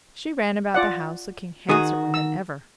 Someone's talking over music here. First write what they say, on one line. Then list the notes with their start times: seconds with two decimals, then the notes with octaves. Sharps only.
She ran about the house looking handsomer than ever.
0.74 F4 D5 F#5
1.69 D#3 F#4 G#4 D#6
2.14 E6